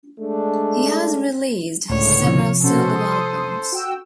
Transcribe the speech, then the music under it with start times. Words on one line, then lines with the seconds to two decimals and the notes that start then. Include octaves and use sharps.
He has released several solo albums.
0.19 G#3 A3 D4
1.89 C#2 A2 D3 C#5
2.24 C3 F3
2.63 B2 C#4 F#4 A4 C5
2.95 C6 D#6
3.72 F#4 G5 E6